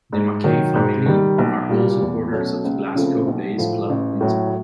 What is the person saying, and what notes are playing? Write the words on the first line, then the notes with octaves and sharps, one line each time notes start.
The Mackay family are all supporters of Glasgow-based club Queen's Park.
G#2
D#3 F#3
G#2
D#3 G3
B1
A#2 G3
E2
B2 F#3 A3 C#4
C#2
C#3 F3 A3 C4
B1
A2 F3 A3
A1
A2 F#3 A3